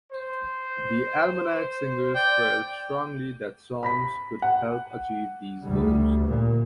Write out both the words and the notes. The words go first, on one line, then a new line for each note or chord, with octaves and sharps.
The Almanac Singers felt strongly that songs could help achieve these goals.
C5
D5 G5
B5 A#6 B6
F#5
D2 G3
A#2